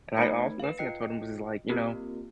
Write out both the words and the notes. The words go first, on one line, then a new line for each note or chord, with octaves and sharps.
and I also nothing, I told him, was just, like, "You know,
A3 D#4 A#4 C5 B5 G#6
B4 F5
F4 D#5 G5 C7 C#7
A#3 C4 F4 G4 A#4